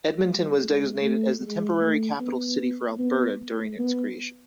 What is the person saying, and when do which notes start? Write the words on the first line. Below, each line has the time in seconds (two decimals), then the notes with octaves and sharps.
Edmonton was designated as the temporary capital city for Alberta during its creation.
0.22 G3
0.62 G#3
1.02 A3
1.41 G#3
1.81 A3
2.20 B3
2.99 B3
3.79 B3